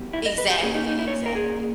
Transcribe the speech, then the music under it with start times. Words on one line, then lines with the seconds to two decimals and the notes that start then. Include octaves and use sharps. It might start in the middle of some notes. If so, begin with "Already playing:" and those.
M exactly, exactly.
Already playing: B2 G3
0.13 E4
0.26 D#5
0.38 B4
0.50 G4
0.62 A#2 A#3 C#4 G#4
0.75 D#4
0.87 D#4
0.99 E4
1.08 C#5
1.26 A#4
1.35 G#4